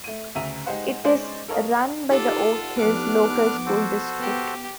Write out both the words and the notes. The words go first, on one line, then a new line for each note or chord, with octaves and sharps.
It is run by the Oak Hills Local School District.
A3 D#7
D2 C#3 E5 A#5 D#7
G#3 D#4 G4 C5 F#5
G#3 C#4 D#4 C5 D5
A4 A#4 C#5 D#5 F5
D#4 F4 G4 A4 D5 F#5
F3 B3 D4 D6 F6 F#6
F#4 A4 C5
B3 G4